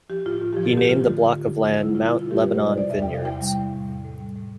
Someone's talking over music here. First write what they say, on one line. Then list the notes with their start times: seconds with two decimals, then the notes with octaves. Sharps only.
He named the block of land Mount Lebanon Vineyards.
0.10 F3 G4
0.26 A2 F4
0.41 A2
0.53 F3 G4
0.66 A4
0.73 A3 G4
0.89 F3 F4
1.05 D3
1.21 F3
1.36 F3
1.52 D3
1.68 D3
1.83 G3 E4
1.95 B2 F4
2.07 E4
2.15 B2 F4
2.31 G3 G4
2.42 G3 B4
2.54 C5
2.62 G3 D5
2.77 C3 D5
2.90 E2 E5
3.02 G5
3.09 C3 F5
3.25 E2 G5
3.41 G3
3.57 E2
3.73 A2
3.88 A2
4.04 A2
4.20 G3
4.36 A2